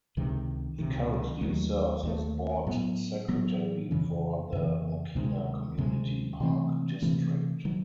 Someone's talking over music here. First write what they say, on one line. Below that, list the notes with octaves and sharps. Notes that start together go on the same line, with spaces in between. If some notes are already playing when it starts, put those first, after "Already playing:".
He currently serves as board secretary for the Mokena Community Park District.
C#2 C3 D#3
C#2 C3 D#3
D#2 D#3 F#3 A3
D#2 D#3 F#3 A3
A2 F#3 B3
A2 F#3 B3
F2 C#3 E3
F2 C#3 E3
D2 C3 D#3 G#3
D2 C3 D#3 G#3
C3 E3 A3 C4
C3 E3 A3 C4
D#3 F#3